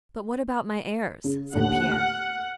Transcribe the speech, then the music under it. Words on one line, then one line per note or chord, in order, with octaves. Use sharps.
"But what about my heirs?" said Pierre.
C#3
D#2 A2 D3 F#5
F6